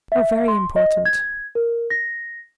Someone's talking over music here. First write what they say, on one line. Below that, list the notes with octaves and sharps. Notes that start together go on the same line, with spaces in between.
"Oh! very important."
E5
C6
D#5
G#6
A#4
A#6